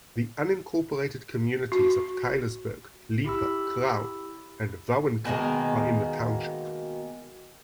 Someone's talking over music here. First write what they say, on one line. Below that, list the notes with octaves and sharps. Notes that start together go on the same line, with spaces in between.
The unincorporated communities of Tylersburg, Leeper, Crown, and Vowinckel are in the township.
F#4
E4 G4 B5 E6
B2 D#3 G#3 A#3